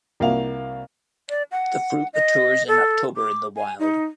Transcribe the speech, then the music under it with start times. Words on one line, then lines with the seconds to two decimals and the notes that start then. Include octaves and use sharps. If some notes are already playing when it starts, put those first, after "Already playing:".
The fruit matures in October in the wild.
0.20 C2 A#3 F#4 E5 F5
1.29 D5
1.52 F#5
2.14 D#5
2.68 A4
3.16 D6
3.56 G#5
3.79 D#4